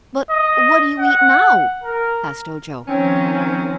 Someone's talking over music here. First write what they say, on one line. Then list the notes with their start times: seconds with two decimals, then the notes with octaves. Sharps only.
"But what do you eat now?" asked Ojo.
0.31 D#5
0.99 F#5
1.84 A#4
2.88 D#3 F3 C4 C#4